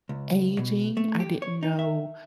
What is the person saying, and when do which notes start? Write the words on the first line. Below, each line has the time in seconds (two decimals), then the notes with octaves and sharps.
aging, I didn't know,
0.09 C#2
0.59 B2
0.97 A3
1.20 G4
1.42 C#5
1.63 D#4
1.79 E5